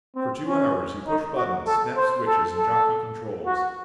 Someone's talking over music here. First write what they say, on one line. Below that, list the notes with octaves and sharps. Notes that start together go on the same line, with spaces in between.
For two hours he pushed buttons, snapped switches and jockeyed controls.
C4
C#4
D#4
F#4
A4
C5
A4
A4
F#4